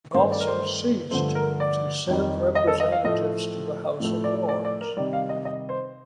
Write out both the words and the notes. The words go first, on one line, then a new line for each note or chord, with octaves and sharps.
It also ceased to send representatives to the House of Lords.
G2 D#3 A3 C5
D5
A#4
C5
G2 D3 F3 A3 C5
A#4
D5
F2 D#3 G3
D#5
A4
D#5
F5
A2 F3 A3 D#5
A2 F3 A3
D5
D5
D5
A#4
C3 D#3 G3 D5
F5
D#5
D#5
C5